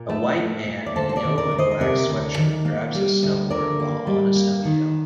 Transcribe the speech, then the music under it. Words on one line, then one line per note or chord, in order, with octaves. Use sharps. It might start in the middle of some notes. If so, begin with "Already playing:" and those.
A white man in a yellow and black sweatshirt grabs his snowboard while on a snowy hill.
Already playing: A#2 A#4
A3
A3
A#2
D5
D2 A4 C5
C5
A#4 D5
D#3
A#4 D5
D2
C5 D#5
D#5
C3 A#4 D5
D2
D#3
A#3
G3
D2
D3 A#4 D5
A#3
G3
A#3
D#3